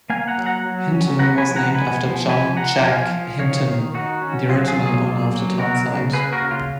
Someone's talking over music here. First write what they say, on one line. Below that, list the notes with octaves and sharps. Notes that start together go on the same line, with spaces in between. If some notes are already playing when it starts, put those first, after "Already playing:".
Hinton was named after John "Jack" Hinton, the original owner of the town site.
A#3 F5 G#5
F#5 A#5
F#3
F#5 A#5
F#3
C#4
B3 F#5 A#5
G#5 B5
F3
F#5 A#5
B3 G#5 B5
F3
F3 G#5 B5
F3 F#5 A#5
F3 F5 G#5
F3
D#3 C#5 F5
D#3
D#3 D#4 F#4
C#4
F#3 F4 G#4
F4 G#4
F#3
F4 G#4
A#3
F#3
F#3 F#4 A#4
C#3
A#3 G#4 B4
F#4 A#4
C#3
F4